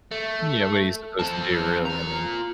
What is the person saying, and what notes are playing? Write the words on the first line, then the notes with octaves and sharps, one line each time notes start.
Yeah, what are you supposed to do, really, I mean.
A3
C4 A4
F4 A#5